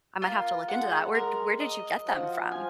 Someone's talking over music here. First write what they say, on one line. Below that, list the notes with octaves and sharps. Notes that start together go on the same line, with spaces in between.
I might have to look into that. Where di where did you get them from?
A#3 F4
G#3 F#5
A#4
D#5
F3 F#4
G#5